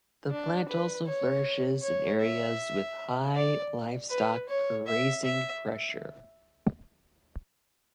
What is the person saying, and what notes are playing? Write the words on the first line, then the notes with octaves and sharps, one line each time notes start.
The plant also flourishes in areas with high livestock grazing pressure.
D4
B4
C#5
C#5
E5
D5
B4
C#5
E5
E5